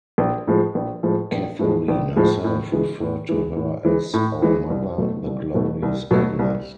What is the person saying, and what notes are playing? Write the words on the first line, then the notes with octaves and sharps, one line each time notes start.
Catherine herself referred to her as "Our mother, the glorious Agnes".
A#1
A2 F3 G#3
A#1
A2 F3 G#3
A#1
A2 F3 G#3
A#1
A2 F3 G#3
A2
E3 G#3
A2
E3 G#3
A2
E3 G#3
A2
E3 G#3
C2
B2 F#3 A3
C2
B2 F#3 A3
C2
B2 F#3 A3
C2